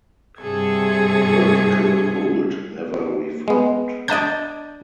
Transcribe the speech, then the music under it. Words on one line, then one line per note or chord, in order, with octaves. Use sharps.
Vertical Hold never reformed.
G2 C3 G#4 A4 G#6
G#3 B3
D4 D5 D#5 A5 G6